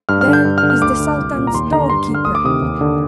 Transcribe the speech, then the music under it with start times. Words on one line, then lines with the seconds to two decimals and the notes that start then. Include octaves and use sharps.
'There is the Sultan's door-keeper!
0.09 G2 F6
0.21 F6
0.28 D3
0.33 G6
0.45 G2
0.58 F6
0.63 D3
0.70 F6
0.82 D2 D6
1.00 D3
1.18 C2
1.36 A#2
1.47 A#5
1.54 D#2 C6
1.72 D3 A#5
1.90 G2 C6
2.09 D3
2.15 F6
2.25 D2 D#6
2.35 D6
2.45 C3 D#3 D#6
2.62 D#2
2.81 D3